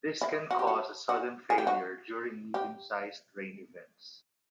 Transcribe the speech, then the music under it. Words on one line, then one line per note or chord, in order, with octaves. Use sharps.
This can cause a sudden failure during medium-sized rain events.
E4
F#4
G4
F#4
F#4
G#4
G4
F#4
G4